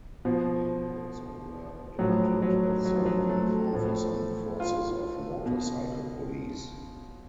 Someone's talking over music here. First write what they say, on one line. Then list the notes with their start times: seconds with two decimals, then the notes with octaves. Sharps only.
They also were adopted as the uniform for some forces of motorcycle police.
0.25 B2 F3
1.99 A2 F3 F#3
2.42 F#3
2.85 F#3
2.96 F3
3.06 F#3
3.29 A3
3.73 A2 F3
4.60 F4
5.46 B2